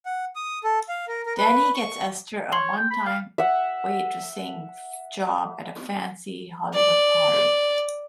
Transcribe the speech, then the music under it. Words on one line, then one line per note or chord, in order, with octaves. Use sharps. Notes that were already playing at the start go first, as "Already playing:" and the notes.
Danny gets Esther a one-time waitressing job at a fancy Hollywood party.
F#5
D#6
A4
F5
A#4
A#4
B4
C#6
C#5 C6 C7 F#7
G5
B5
F5
E5 F#5
D5